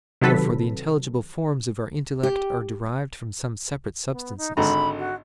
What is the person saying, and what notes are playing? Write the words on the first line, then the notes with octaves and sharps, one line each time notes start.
Therefore the intelligible forms of our intellect are derived from some separate substances.
C3 D#3 F#3 A4 B4 B6
G4
B3
D#4
G#1 D3 A#5 B5
F#4